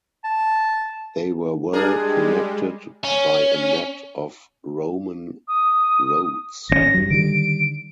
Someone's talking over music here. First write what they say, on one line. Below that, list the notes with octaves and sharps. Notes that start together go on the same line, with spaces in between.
They were well connected by a net of Roman roads.
A5
G3 G#3 D4 G#4 A#4
C#4
D#6
G#1 D#3 C#4 A#6
G2 F#3
D3 D#3 G3 D7